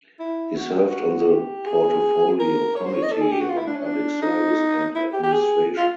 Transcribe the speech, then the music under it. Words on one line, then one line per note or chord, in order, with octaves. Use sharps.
He served on the Portfolio Committee on Public Service and Administration.
E4
F#4
G4
F#4
G4
G#4
A#4
C#5
C5
C#5
D#5
A4
G#4
G4
F#4
F4
E4
D4
C#4
D4
D#4
E4
G4
G4
G#4
F4